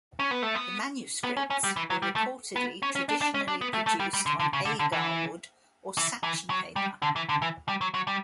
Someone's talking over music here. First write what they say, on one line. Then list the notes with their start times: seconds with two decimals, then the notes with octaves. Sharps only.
The manuscripts were reportedly traditionally produced on Agar wood or "sachi" paper.
0.19 C#4
0.31 B3
0.42 A3
0.55 B3
1.24 B3
1.37 C#4
1.50 C#4
1.64 G3
1.76 E3
1.90 F#3
2.02 G3
2.16 A3
2.56 B3
2.83 C#4
2.95 C#4
3.09 D4
3.21 D4
3.34 C#4
3.48 D4
3.61 B3
3.74 A3
3.87 A3
4.00 G3
4.14 G3
4.26 D3
4.40 D3
4.53 C#3
4.65 D3
4.79 D3
4.92 E3
5.98 E3
6.23 E3
6.50 F#3
6.76 G3
7.02 D3
7.16 E3
7.29 D3
7.42 E3
7.68 G3
7.81 F#3
7.94 F#3
8.08 G3